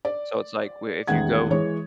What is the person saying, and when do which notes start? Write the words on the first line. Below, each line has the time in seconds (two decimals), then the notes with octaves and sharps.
So, it's like, we if you go
0.05 D5
1.08 A1 E2 D#3 G#3 F#5 G#6
1.51 E3 G#3 C#5